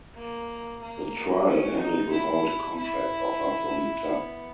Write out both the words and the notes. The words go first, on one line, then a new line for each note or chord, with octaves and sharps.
The trial ended without a contract offer from the club.
A#3
A#3
C#4
D#4
E4
E4
B3